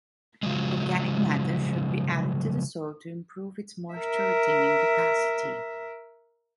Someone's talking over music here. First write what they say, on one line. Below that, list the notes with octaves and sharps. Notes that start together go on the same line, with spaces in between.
Organic matter should be added to the soil to improve its moisture-retaining capacity.
C#3 F3 F#3 G#3
A#4 E5